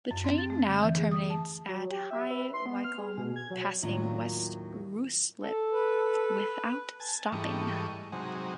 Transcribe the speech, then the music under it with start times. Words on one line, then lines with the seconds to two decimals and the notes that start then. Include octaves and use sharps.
The train now terminates at High Wycombe, passing West Ruislip without stopping.
0.11 F#2
0.24 C4
0.38 A6
0.50 A3
0.67 D3
0.83 E3
0.97 G#4
1.11 D#6
1.30 A5
1.68 F#3
1.91 G4
2.11 E5
2.31 B4
2.53 C6
2.66 B3
2.84 F6
2.98 G#4
3.18 B2
3.36 G#6
3.50 F#3
3.82 D#2 A2 D#3 F#3 D4 F4
5.43 A4
5.72 B4
7.00 G#5 A5
7.32 G#2 E3 G3 A3 D#5 C#6
8.12 C3 F#3 G#3 D#4